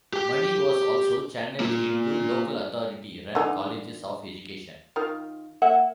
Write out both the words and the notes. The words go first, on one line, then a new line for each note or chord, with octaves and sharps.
Money was also channelled into local-authority run colleges of education.
G4 G5
A#3 F4
D3 E3 D#4
D#3 F4 A#4
A#3 E5 F#5